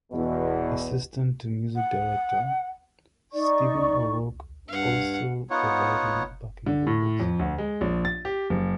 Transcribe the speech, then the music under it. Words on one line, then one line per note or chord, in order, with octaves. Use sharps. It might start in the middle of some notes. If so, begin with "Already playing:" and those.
Assistant to Music Director: Stephen O'Rourke also provided backing vocals.
E2 B2
F#5
D#4 D5 C#6
G2 F5 F#5
B3 D#4 F4 C#5 F#5
D3
A2
F2
D2
G#3
A#1
A6
G4
F#1